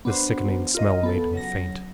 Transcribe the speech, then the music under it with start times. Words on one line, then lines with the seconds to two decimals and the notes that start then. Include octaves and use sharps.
The sickening smell made him faint.
0.05 B3 D4 F#4 C5
0.75 F4 A#4 D#5
1.03 B3 A4
1.33 C#3 F#3 A#6